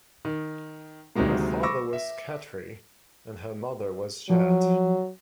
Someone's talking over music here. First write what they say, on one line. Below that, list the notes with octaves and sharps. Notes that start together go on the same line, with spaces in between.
Her father was Khatri, and her mother was Jatt.
D#3
D2 C3 D#3 F#3 G#3 A#3
B5 C#6 D6 E6 A#6
E5
F3 F#3